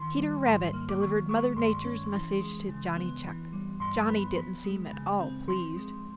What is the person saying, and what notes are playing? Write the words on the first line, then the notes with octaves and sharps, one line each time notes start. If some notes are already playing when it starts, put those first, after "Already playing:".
Peter Rabbit delivered Mother Nature's message to Johnny Chuck. Johnny didn't seem at all pleased.
Already playing: D#3 C6
G3
G#2
A#3
D6
D#3 C#6
G#3 C#6
G2 C6
C#4
E3
G#3
C#3
B3
E3
G3
G2 C6
B3 B5
F3 B5
G#3
C#3
C4
F3 C6
G#3